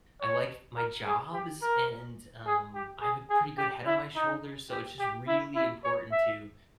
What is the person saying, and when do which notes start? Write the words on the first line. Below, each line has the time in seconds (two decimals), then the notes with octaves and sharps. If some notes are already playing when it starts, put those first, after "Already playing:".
I like my jobs, and, um, I have a pretty good head on my shoulders, so it's just really important to
0.21 C#5
0.77 A#4
1.05 G#4
1.33 G4
1.62 A#4
2.46 G#4
2.74 G4
3.01 G#4
3.30 G#4
3.58 G4
3.86 E4
4.15 D#4
4.70 G4
5.00 G4
5.28 E4
5.56 E4
5.84 C#5
6.12 E5